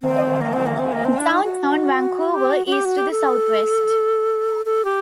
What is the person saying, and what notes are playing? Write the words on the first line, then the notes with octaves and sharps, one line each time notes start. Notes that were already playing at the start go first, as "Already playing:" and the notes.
Downtown Vancouver is to the southwest.
C4
A#3
C4
A#3
C4
A#3
C4
D4
D#4
F#4
G4
F#4
F#4
G4
F#4
G4
A4
A4
G4